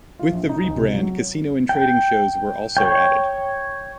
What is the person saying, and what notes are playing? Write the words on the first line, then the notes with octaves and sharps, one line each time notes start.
With the rebrand, casino and trading shows were also added.
F4
A#1
D#4
C#2
C3
F#3
G5
C#5 G5